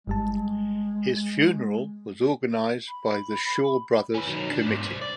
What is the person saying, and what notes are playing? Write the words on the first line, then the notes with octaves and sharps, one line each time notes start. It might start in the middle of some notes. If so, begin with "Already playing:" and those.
His funeral was organised by the Shaw Brothers committee.
G1 G3 G#3 A5
B5
C#4 B4
D#3 F#3
G#2 D4
B1 G#2
C5 D5
D5